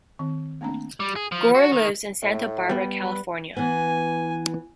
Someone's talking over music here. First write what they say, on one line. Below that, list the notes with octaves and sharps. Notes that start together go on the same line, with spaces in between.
Gore lives in Santa Barbara, California.
D#3 C4
A3 A#3 C4 D4 A#5
G3
G#4
F3
F#4
D#3
A2
G3 B3
B4
E3 B3 G#5